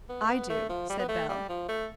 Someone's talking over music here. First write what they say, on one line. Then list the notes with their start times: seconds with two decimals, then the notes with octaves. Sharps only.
"I do," said Bell.
0.09 B3
0.24 A3
0.29 B3
0.49 A3
0.69 F3
0.90 G3
0.99 B3
1.09 A3
1.29 G3
1.49 F3
1.69 A3